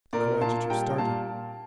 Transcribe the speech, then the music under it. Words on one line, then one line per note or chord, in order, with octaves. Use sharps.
The coadjutor started.
A#2 A#4 D5
A#2 F5 A5
G3 G5 A#5
A#2 F5 A5